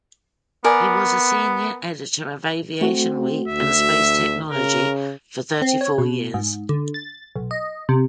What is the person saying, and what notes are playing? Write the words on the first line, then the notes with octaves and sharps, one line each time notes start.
He was a senior editor of "Aviation Week and Space Technology" for thirty-four years.
B3 A#4 D5 G#5
A3 C4 F#4
D2 E5
C#3 A#4
C4
C#5
B2
G#2
D3
A6
B1
D#5
C3